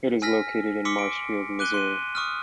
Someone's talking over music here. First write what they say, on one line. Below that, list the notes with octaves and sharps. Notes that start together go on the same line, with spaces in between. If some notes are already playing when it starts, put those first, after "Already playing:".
It is located in Marshfield, Missouri.
G#5 E6 F6 A#6 B6
C6 D6 E6 B6 C#7
D7
D6 F#6 D#7 G7
C6 D#7
C#6 D#6 F6